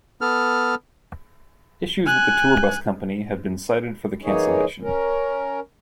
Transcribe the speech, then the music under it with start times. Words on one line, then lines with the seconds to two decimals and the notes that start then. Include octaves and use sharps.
Issues with the tour bus company have been cited for the cancellation.
0.21 B3 A4 F6
2.06 G#5 F#6
4.24 E3 A#3 D#4 G#4 C#5
4.82 C#4 A#4